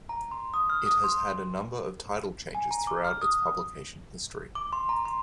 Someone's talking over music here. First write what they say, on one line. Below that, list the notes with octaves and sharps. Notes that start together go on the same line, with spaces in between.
It has had a number of title changes throughout its publication history.
A#5
C6
D#6
F6
D#6
C6
G#5
A#5
D6
F6
D#6
D6
C6
A#5
C6